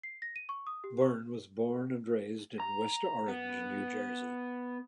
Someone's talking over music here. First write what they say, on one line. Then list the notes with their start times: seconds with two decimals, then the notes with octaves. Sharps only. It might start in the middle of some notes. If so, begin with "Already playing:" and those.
Byrne was born and raised in West Orange, New Jersey.
0.03 C7
0.22 A#6
0.36 D#7
0.49 C#6
0.67 D#6
0.84 G4
1.02 C#6
2.60 A#5
3.28 B3